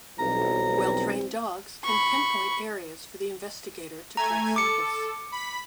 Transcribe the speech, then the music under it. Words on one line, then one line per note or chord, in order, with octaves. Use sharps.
Well-trained dogs can pinpoint areas for the investigator to collect samples.
B1 E3 G3 C4 A#5
B5 C#6
A3 G#5 A#5 G#6
A4 D6 C#7
B5 B6